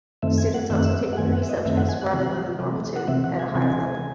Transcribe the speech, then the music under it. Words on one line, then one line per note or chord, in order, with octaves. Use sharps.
Students also take three subjects, rather than the normal two, at a higher level.
F#2 D#3 A3 C4 E5
G#5
F#5
F#2 D#3 A3 C4 E5
F#5
E5
F#5
F#2 D#3 A3 C4 G#5
F#5
E5
D#5
F#2 D#3 A3 C4 E5
F#5
G#5
F#5
C3 E3 C4
C3 E3 C4
F#5
C3 E3 C4 E5
F#5
G#5
C3 E3 C4 G#5